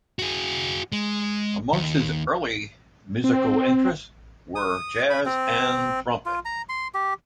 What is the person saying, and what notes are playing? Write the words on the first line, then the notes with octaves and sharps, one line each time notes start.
Amongst his early musical interests were jazz and trumpet.
F#4 G#4
G#3
D#2
C4
D#6
B5
C4
F4
A#5
C6
G4